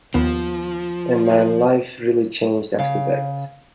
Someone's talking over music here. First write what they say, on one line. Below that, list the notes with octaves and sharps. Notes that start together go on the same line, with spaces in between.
And my life really changed after that.
D#2 F3 B3
C#3 F5